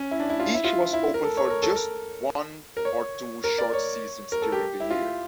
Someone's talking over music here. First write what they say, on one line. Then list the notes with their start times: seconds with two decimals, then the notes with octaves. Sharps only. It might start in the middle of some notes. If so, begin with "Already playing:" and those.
Each was open for just one or two short seasons during the year.
Already playing: C#4
0.11 E4
0.20 D4
0.30 E4
0.40 F4
0.54 E4
0.64 F4
0.93 E4
1.14 A#4
1.24 A4
1.37 C#5
1.50 A#4
1.63 A4
1.75 A#4
2.77 A#4
2.85 C#5
3.44 A#4
3.58 D5
3.73 C#5
4.32 A#4
4.42 A4
4.52 G4
4.80 E4
4.90 F4